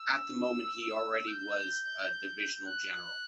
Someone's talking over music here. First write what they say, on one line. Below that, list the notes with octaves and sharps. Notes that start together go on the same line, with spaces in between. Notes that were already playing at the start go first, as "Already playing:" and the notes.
At that moment he already was a Divisional General.
Already playing: E6
G6
F#6